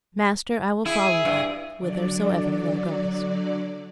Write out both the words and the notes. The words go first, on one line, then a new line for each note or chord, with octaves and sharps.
"Master, I will follow Thee whithersoever Thou goest."
E4 G#4
G2
D3 F#3 D5